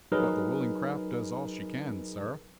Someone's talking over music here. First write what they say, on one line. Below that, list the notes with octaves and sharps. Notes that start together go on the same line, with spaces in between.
"But the willing craft does all she can, sir."
F#3 D#4 G#4 A#4 B4